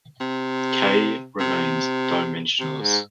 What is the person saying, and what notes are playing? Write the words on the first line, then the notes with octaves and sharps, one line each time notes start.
"K" remains dimensionless.
C3
C3
C3
G#2